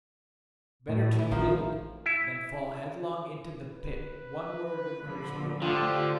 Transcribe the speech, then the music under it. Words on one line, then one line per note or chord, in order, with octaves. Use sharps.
Better to yield than fall headlong into the pit one word of hers would open.
A2
E3
A1 D#3 F3
E4
B4
D3 F3 B5
D3 F3 A3 F4 G4 F5 G5